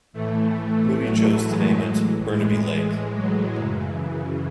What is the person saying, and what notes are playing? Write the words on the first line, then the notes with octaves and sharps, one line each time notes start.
Moody chose to name it Burnaby Lake.
A2 E3 A3
F#3
G#3
A2 E3
G#3
G#3
F#3
F#2 C#3 E3